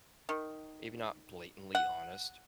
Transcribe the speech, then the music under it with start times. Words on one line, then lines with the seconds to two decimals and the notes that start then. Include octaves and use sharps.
maybe not blatantly honest.
0.29 D#3
1.75 F#5